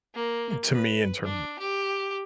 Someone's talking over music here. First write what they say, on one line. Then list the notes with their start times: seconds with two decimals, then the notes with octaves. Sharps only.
to me in terms of
0.14 A#3
0.72 B4
1.24 D4
1.59 G4